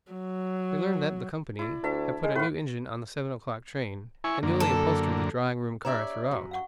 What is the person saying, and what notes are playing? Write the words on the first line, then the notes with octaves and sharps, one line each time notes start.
We learn that the company have put a new engine on the seven o'clock train, and newly upholstered the drawing-room car throughout.
F#3
E4 D5
D2 E5 A5
G#3 F5
A2 B4 F5
E4 G#5 C#6
F#2 D3 A#3
A4
D4 G4 C#5 D5 E5 A#5
F#2
F5 F#5 C#6